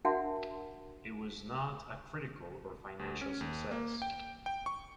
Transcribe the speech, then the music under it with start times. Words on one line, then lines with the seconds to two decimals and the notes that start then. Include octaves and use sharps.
It was not a critical or financial success.
0.05 D4 F#4 A#4 E5 F#5 A5
2.99 D2
3.21 C#4
3.41 D#2
3.71 A#3
4.02 G5
4.46 G5
4.66 C#6